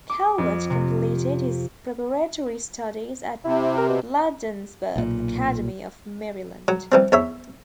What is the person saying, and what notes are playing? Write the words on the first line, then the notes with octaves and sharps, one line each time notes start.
Calvert completed his preparatory studies at Bladensburg Academy of Maryland.
D6
F2
C3
C3 E4
A#4
B2
B1 A#2
F#3
E3 G3 C4
E2 C#5 E5